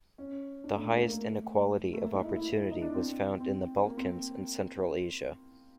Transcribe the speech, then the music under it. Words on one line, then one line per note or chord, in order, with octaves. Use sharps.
The highest inequality of opportunity was found in the Balkans and Central Asia.
C#4
D4
A3
A#3
A#3
A3
A3
A#3
D#4
E4
E4
E4
E4
D#4
D4
C4
C4
A#3
C4